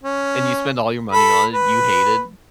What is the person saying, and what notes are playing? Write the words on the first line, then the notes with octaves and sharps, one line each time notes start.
And you spend all your money on it. You hate it.
C#4
A4 B5
B4